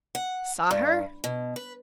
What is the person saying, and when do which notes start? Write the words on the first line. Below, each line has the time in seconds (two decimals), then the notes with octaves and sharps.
"Saw her?"
0.15 F#5
0.71 G2
1.24 B2
1.56 B4